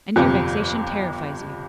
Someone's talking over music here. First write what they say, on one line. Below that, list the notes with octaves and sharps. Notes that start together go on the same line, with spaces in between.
And your vexation terrifies you.
G1 F2 C3